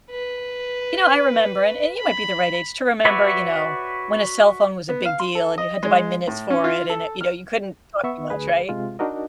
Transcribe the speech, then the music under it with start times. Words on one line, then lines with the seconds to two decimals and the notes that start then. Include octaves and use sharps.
you know, I remember and and you might be the right age to remember, you know, when a cellphone was a big deal and you had to buy minutes for it and it you know, you couldn't talk too much, right?
0.11 B4
1.99 B5
3.05 F#4 B4 C#5 D5 E5
4.89 B3
5.05 F5
5.20 C6
5.35 A4
5.58 D#5
5.83 G#3
6.28 A2
6.50 C#4
6.64 F4
6.90 A4
7.21 F6
8.04 B3 E5 C#6
8.30 D2 G#4 B4
8.69 C3 G#3 F4
8.99 D4 D#4 F#4 A#4 D#5